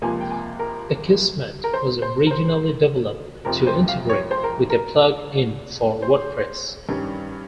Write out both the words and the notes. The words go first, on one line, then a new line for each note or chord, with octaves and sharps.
Akismet was originally developed to integrate with a plug-in for WordPress.
C#2 C3 F3 A#3 G#5
G5
G#5
A#4
A#4
C5
C5
A#4
C5
F1 F2 C3 F3 A#4
C5
F5
C#5
C5
A#4
A#4
C5
G2 D#3 G3 C#4